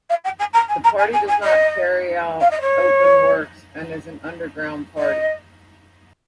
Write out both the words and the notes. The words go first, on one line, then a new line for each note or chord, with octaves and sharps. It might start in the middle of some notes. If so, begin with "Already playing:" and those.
The party does not carry out open works and is an underground party.
F5
G5
G#5
A#5
G#5
A#5
G#5
G#5
G#5
D#5
F5
D#5
C#5
D#5